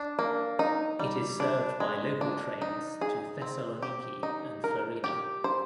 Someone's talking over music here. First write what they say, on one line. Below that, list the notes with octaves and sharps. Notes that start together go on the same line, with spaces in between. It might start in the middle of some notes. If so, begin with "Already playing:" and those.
It is served by local trains to Thessaloniki and Florina.
Already playing: D4
A#3
D#4
G3
D4
G#3
D4
D#4
G#4
C4
G4
D#4
A#4
G4
C5